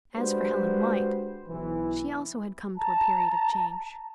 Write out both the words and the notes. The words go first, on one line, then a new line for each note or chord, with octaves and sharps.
As for Helen White, she also had come to a period of change.
G#3 D4 F#4 G4 B4 C5
B1 E3
A5 A#5